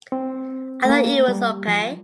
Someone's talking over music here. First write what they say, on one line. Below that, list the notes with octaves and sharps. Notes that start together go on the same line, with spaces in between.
I thought it was okay.
C4
A3
A#3
G3
F3